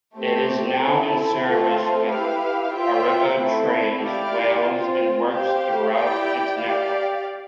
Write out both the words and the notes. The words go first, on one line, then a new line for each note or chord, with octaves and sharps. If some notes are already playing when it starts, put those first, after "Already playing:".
It is now in service with Arriva Trains Wales and works throughout its network.
A3 C4 G4 C5
E4 A4 C5
A3 C4 F4 A4 C5
E4 G4 B4 F5
F4 C5 E5 G5
A3 C4 E4
E4 G4 D5 F5
C4 F4 C5
G4 C5 F5
E4 G4 D5 G5
G4 D5 F5